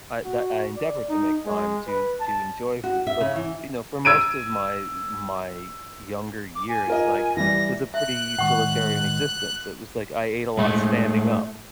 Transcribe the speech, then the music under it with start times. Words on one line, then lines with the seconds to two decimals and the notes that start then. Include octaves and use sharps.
I that I endeavor to make time to to enjoy food, but, you know, for most of my my younger years, like, was a pretty utilitarian existence, it was like, I ate a lot standing up,
0.25 F#4
0.76 D5
1.09 D#4
1.46 G#3
1.87 B4
2.20 A5
2.84 F#4
3.07 E5
3.21 C#3
3.36 E3
4.05 E6 G#6 D7 D#7
6.55 D6
6.69 G#5
6.87 F4 A#4 D#5
7.37 E3 G3 A#6
7.94 E5 F#6
8.39 A2 D#3 G#3 F#5 C#6
10.58 A2 G#3 A3